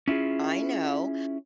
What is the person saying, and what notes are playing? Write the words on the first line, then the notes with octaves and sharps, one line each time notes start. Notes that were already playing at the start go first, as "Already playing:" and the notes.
I know,
C#4 E4 F4 G#4